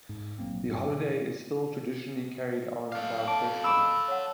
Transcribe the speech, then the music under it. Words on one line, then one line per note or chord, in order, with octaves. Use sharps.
The holiday is still traditionally carried on by freshmen.
G#2
A#1 F#3 A#3 C4
F#2
B2 E3
A4 F5
A5 D6
B5 D6 E6
C#5 F#5